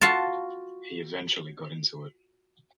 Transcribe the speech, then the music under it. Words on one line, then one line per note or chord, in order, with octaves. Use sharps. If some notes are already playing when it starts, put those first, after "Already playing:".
He eventually got into it.
F4 F#4 F5 A5